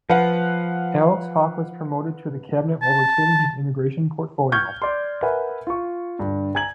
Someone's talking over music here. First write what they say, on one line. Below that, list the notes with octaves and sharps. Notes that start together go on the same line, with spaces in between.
Alex Hawke was promoted to the cabinet while retaining his immigration portfolio.
F3 B4 F5 F#5
A5
C#6 F6 G6 G#6
D5 C6
A#4 B4 E5 F#5 G#5 B5
F4 C#6
G2 D3
G#5 A#5 G#6 F#7